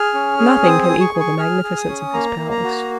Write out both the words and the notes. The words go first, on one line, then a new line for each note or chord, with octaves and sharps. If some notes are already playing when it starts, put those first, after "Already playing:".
Nothing can equal the magnificence of his palace.
Already playing: G#4 F6
C#4
G#4
C4 D#6
D#6
G#4
C#6
G#4
C#6
G#4 F6
G#4
D#6
C#4
A#3 A#5
A#3
A#5
F#4